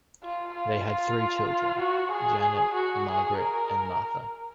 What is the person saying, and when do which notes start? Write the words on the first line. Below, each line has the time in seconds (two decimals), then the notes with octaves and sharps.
They had three children, Janet, Margaret and Martha.
0.23 F4
0.54 F4
0.86 F4
1.80 F#4
2.11 G#4
2.74 F#4
3.06 G#4
3.37 A#4